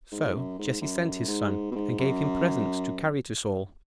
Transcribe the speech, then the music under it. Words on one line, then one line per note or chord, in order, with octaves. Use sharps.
So Jesse sent his son, and gave him presents to carry to Saul.
G#2
F#2
G#2
F#2
G#2
B2
G#2
F#2